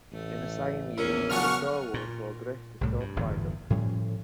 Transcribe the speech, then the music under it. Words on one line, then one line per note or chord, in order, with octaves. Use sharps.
In the same year, he saw Star Wars while dressed as Darth Vader.
A1 A3
A#1 E2 C#4 E4 A#4
C#3 F#3 D4 F#5 C#6 F6
A#2
C2 A2 G3
G2
G1 E2 A2
A2 F3 G3 C#4